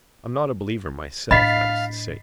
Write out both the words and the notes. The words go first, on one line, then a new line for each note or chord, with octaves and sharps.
I'm not a believer myself, that is to say.
A2 D4 D#5 F5 B5 A6 B6 C7